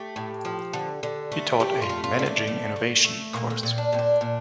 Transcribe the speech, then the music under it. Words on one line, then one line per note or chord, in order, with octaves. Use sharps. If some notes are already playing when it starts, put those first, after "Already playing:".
He taught a "Managing Innovation" course.
Already playing: A3 G4
A2
F3
D3
D3
A3
A3 G4
F4
A3
F4
D3
A3
A3
A3
A3
A#2 A#3
A#3
C4
A#2
D4
A#2 C4
D4
A#2